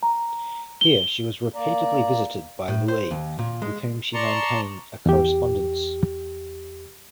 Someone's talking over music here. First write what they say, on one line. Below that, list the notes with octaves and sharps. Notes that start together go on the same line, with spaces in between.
Here she was repeatedly visited by Louis, with whom she maintained a correspondence.
A#5
G7
A#3 D5 A#5
A2
C5
D#2
A#2
G#3
D5 A5 A#5 C6 C#6
E2 G4